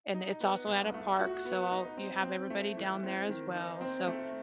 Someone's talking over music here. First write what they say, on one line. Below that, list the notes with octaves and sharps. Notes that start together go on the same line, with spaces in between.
and it's also at a park, so I'll you have everybody down there as well, so
D#4
B3
C2
A3
F#4
B3
D#4
C4
C4
A3
E3
C4
D#3
D#4
C4
A3